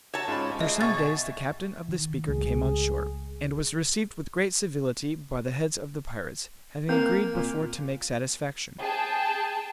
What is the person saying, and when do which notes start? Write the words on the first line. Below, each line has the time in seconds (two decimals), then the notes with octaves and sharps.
After some days the captain of the Speaker came on shore, and was received with great civility by the heads of the pirates, having agreed before to make satisfaction.
0.14 F#4 C#5 A5 E6
0.28 G#2 G#3 C#4 F4 B5
0.61 G#4 D#5 E5
0.81 B2 E5 C#6 A6
1.89 D#3
2.28 C#2 G#3 A3 G#4
6.89 A#3 C4 A#4
7.34 A#2
8.79 G#4 G5 A5